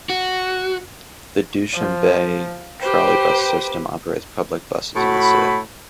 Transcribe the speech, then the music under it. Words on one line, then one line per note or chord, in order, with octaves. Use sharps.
The Dushanbe trolleybus system operates public buses in the city.
F#4
F3
G4 B4 C5 G5
A2 F#4 B5